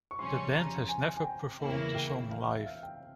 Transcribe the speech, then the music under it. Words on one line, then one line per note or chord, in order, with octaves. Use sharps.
The band has never performed the song live.
C#6
F2 C#3 G3 C#4 C6
A#5
G#5
G#5
G5
E2 C#3 E3 A#3 E4
G5
F5
E5
F5
G5